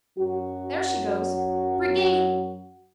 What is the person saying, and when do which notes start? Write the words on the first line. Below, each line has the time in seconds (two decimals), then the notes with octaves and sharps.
There she goes. Brigade!
0.19 F#2 F#3 F#4